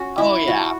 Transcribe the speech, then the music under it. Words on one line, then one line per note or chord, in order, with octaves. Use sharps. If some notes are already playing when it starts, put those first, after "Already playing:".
Oh yeah,
Already playing: C#4 F#4
E4
F#4